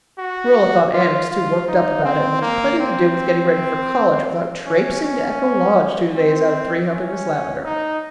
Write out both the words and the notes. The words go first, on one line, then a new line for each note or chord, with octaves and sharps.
Marilla thought Anne was too worked up about it and had plenty to do with getting ready for college without "traipsing" to Echo Lodge two days out of three helping Miss Lavendar.
F#4
F4
F4
D#4
C4
A#3
C4
C#4
C#4
C4
C#4
D#4